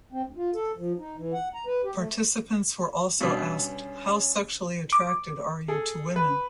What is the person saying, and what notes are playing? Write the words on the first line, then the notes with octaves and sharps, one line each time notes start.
Participants were also asked How sexually attracted are you to women?
C4
D2
F4
A4
F3
D#4
E3
F#5
A#5
B4
G4
A3
G2 B2 C#4
D6
G#4 A4
B4